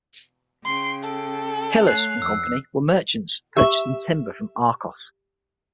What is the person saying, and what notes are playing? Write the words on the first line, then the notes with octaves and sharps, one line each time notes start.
Hillas and Company were merchants purchasing timber from Arcos.
C#3 G5 C6
A4
A3 C#5 F5 F#6 C7
F2 E6
G4 E5 C#6